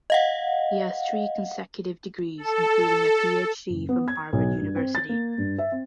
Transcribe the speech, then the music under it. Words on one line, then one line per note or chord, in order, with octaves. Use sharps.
He has three consecutive degrees including a PhD from Harvard University.
D#5 F5 F#5
A4
F#1
B3
G#6
B1
G2
C4
A6
A#3
G2
E5
C4